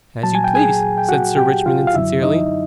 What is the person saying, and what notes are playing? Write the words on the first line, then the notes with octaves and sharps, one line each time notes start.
"As you please," said Sir Richmond insincerely.
A#2 F#3 A5
G#5
G5
G#4 G#5
G5
F#4 F#5
G4 G5
F4 F5
F5
F#2 D3 F#3 E4 E5
D#4 D#5